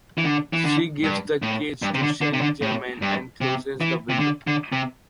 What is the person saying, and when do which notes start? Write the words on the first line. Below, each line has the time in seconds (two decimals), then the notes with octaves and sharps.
She gives the cage to Saint-Germain and closes the window.
0.18 E3
0.24 D3
0.53 E3
0.64 D3
1.03 G2
1.42 A2
1.82 G2
1.94 C3
2.03 D3
2.21 D3
2.33 C3
2.41 D3
2.62 A2
3.02 G2
3.41 C3
3.81 E3
4.10 C3
4.20 D3
4.47 D3
4.73 C3